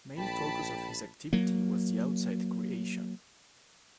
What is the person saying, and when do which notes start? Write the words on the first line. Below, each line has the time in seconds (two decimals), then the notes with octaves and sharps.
Main focus of his activity was the outside creation.
0.18 A#1 G5 A5 B5
1.33 F#3 A#3